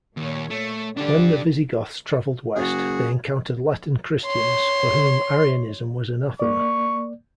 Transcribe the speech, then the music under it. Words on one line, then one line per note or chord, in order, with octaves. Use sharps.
When the Visigoths traveled west, they encountered Latin Christians, for whom Arianism was anathema.
D#2 A#2 C#5
A3
D3 D4 G4
F#1 F#4 G#4
C#5 C6
A#3 D5 C#6